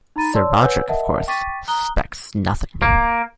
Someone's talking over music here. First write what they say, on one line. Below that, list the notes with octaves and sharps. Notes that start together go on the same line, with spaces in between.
Sir Roderick, of course, suspects nothing.
D#4 A#5 B5 A6 D#7
C#5 D5 A5 C6 E6
B4 C#5 F#5 G#5 E6 G6
A#4 D#5 E5 F#5 A5
G5 C#6 D6 A6 B6 D#7
A#5 D#6 F#6 G7
A#3